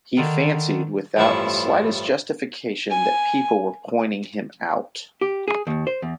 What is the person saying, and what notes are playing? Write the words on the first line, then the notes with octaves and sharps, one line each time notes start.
He fancied without the slightest justification that people were pointing him out.
D3 D#3
A1 G2 F3 E4 C#6
G#5
G4
G#4
D#2
C5
E2